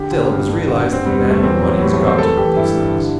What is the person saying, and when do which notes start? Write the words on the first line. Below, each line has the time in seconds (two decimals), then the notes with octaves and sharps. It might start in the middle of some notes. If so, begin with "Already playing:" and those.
Still, it was realized that a man with money has got to know these things.
Already playing: D3 G4
0.11 D3
0.30 G2
0.49 G2
0.67 D3 F#4
0.87 D3
0.93 C4
1.05 E2 G3
1.18 G3
1.24 E2
1.30 A3
1.43 E3 C4
1.55 F#3
1.62 E3
1.68 F#3
1.81 A2 G3
1.93 A3
2.00 A2
2.06 C4
2.18 E3 A4
2.37 E3 G4
2.56 G2 E4
2.75 G2
2.95 D3